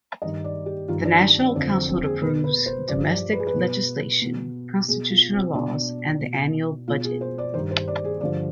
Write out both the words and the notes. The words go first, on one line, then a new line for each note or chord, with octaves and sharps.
The National Council approves domestic legislation, constitutional laws, and the annual budget.
G2 D#3 D#5
D5
G4
G2 D#3 F4
D4
D4
C4
F2 D3 F3 D4
C4
C4
G#4
B2 B4
B4
C5
G2 F3 D5
D5
B4
G#4
B4
B2
B2
B2 G#4
F4
C4
B2 D4
B2
B2 F4
G#4
C5
D5
G2 D#3 C5
C5
D5
G#4
G2 D3 F3 D5